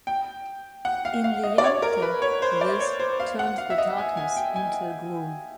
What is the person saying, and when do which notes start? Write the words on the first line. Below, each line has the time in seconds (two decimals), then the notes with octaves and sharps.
In Liempde this turned the darkness into a gloom.
0.07 G5
0.85 F#5
1.05 F5
1.24 F5
1.43 D#5
1.58 D5
1.64 C#5
1.82 A#4
2.02 B4
2.22 C#5
2.42 C5
2.61 D5
2.80 C#5
2.99 C5
3.20 F5
3.39 F#5
3.58 F5
3.70 E5
3.78 D#5
3.98 G#5
4.17 G#5
4.37 G5
4.56 G#5